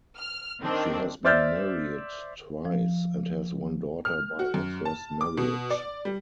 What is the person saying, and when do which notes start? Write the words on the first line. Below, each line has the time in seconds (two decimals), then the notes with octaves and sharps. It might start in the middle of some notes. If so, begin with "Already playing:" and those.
She has been married twice and has one daughter by her first marriage.
0.17 F6
0.61 D#3 C4 D4
1.25 C5 D5 E5 F6 G6 A6
2.65 F3
4.05 F6
4.39 F#4
4.54 F#2
4.85 A5
5.21 D6
5.37 B2
5.70 D5
6.05 G3